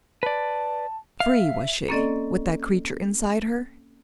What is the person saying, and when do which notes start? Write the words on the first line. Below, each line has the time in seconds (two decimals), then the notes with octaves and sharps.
FREE was she, with that creature inside her?
0.23 B4 D5 A5
1.20 E5 F5
1.89 A#3 C4 C#4 A4 D5 D#5